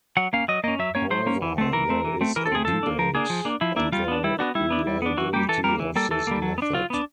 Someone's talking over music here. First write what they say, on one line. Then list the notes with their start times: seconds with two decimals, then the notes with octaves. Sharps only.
However there is a debate on the reliability of this method.
0.17 F#3 F#5
0.33 A#3 C#4 F5
0.48 F#3 D#5
0.64 A#3 C#4 D#5
0.79 F#3 E5
0.95 A#3 C#4 C#5
1.10 F#3 C5
1.26 A#3 C#4
1.42 E3
1.58 A3 C4
1.73 E3 A#4
1.89 A3 C4
2.05 E3
2.21 A3 C4
2.36 E3 A#4
2.46 A4
2.52 A3 C4 G#4
2.65 F3 A4
2.83 A#3 D4
2.99 F3 A#4
3.15 A#3 D4 G#4
3.30 F3
3.45 A#3 D4
3.61 F3 E4
3.76 A#3 D4 E4
3.92 G3 F4
4.08 B3 D4
4.24 G3 E4
4.39 B3 D4 F#4
4.55 G3 E4
4.70 B3 D4
4.87 G3
5.02 B3 D4
5.17 E3 F#4
5.33 G3 A#3 G4
5.49 E3 A4
5.64 G3 A#3 A#4
5.80 E3
5.96 G3 A#3 A4
6.11 E3 A4
6.27 G3 A#3
6.42 F#3
6.58 B3
6.62 D4
6.73 F#3 F4
6.90 B3 D4